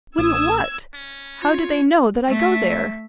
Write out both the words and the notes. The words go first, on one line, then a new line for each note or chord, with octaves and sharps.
'Wouldn't what?--How do they know that I go there?'
A1 D#6 E6 G#6
C#4
F4 C#5
A3 E5